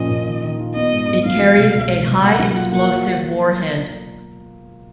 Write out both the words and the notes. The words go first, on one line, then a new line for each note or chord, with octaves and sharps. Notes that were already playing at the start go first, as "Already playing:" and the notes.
It carries a high explosive warhead.
Already playing: A#2 F3 C#4 D#5
A#2
D#3
D#3
F4
B3 D#5
G#2
B3
F#3 F5
F#3
B2
C#2
C#2
B2
A#3 F#5
F#3
F4
A#3 F#5